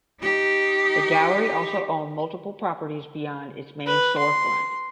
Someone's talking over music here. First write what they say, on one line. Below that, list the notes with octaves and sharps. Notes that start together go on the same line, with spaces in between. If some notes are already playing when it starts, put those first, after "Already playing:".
The gallery also owned multiple properties beyond its main storefront.
D#4 G4
B4
C6